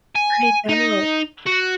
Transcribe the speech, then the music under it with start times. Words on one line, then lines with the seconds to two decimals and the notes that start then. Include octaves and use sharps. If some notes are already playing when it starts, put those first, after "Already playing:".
I know.
0.15 G#5
0.69 D#4
1.47 F#4